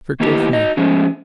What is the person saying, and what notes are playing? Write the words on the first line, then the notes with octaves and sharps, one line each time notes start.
"Forgive me!"
D#3 A#3 B3 D#4 E4 G4
D#4 F#4 D#5
F3 G#3 A3 C#4